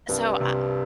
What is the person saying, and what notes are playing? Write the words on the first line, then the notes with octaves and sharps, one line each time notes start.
So, I
C2 G2
C3